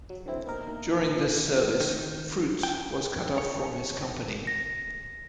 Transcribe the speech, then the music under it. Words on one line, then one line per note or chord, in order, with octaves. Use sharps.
During this service, Fruits was cut off from his company.
F#3
D3 E3 C4 E4
B2 A#3 D#4 A#4
A#2 D#3
D#3
G5
C#5
A#6